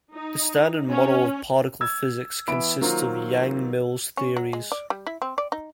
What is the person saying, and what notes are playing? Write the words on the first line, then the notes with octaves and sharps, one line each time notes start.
The Standard Model of particle physics consists of Yang-Mills Theories.
D#4
C#4
E6 G#6
E3 B3 E5 B5 D7
D#3 F#3 A#3 F4 A#4 C5
C#4
F#3
G#3
D5
G3
E4
C4
D5
D#4